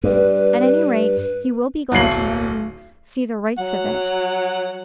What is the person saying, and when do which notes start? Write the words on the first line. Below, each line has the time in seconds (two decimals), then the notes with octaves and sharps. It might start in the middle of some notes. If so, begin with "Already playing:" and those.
At any rate he will be glad to know you see the rights of it.'
0.04 G2 B4
1.92 D1 B1 F#3 C7 F#7
3.58 F#3 F#5